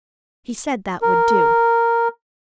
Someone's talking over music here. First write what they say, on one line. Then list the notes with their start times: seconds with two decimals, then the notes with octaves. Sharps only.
He said that would do.
1.02 A#4